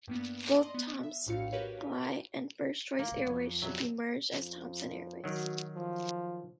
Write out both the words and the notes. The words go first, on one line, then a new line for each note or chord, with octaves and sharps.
Both Thomsonfly and First Choice Airways would be merged as Thomson Airways.
G2 A#3 B3
D5 D#5 C6
B3
E5
A#1 A2 F5 C#7
F#4 G4 A#4 B4 C#5 F5
A#3
C2 A2
F2 C#5
B2 F#3 G3 E5
F2
D#3 F#3 F#4
F3